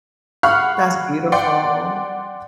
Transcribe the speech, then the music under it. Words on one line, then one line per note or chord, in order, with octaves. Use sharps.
that's beautiful.
F5 F#5 B5 C#6 F6 F#6
D5 F#5 G5 C6